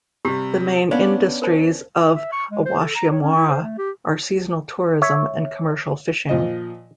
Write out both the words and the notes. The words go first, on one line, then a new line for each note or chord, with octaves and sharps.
The main industries of Awashimaura are seasonal tourism and commercial fishing.
C3 G3 G4
B3 C#4 D4 C#5 D5 F5
A#4 C5 A5
E5
C#6
G#3
C5
A4
A#5
C#5
C#4
E4
C5
A3
G4
C#5 E5
A#2 F3 D#5